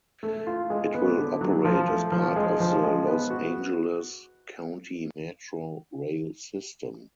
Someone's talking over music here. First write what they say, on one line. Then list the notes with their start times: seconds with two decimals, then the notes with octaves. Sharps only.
It will operate as part of the Los Angeles County Metro Rail system.
0.23 A3
0.47 F4
0.70 G#3
0.94 B3
1.17 D3
1.41 F#3
1.65 F3
1.89 A3
2.12 F3
2.36 G#3
2.60 F3
2.84 G#3
3.07 B3
3.30 F#4